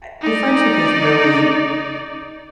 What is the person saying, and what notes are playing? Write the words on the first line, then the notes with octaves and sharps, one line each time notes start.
eh, the friendship is really
D#4 D5